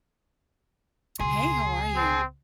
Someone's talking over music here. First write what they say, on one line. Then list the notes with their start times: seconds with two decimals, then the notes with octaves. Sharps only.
Hey, how are you?
1.20 C#2 B2 G#4 C6
1.97 C4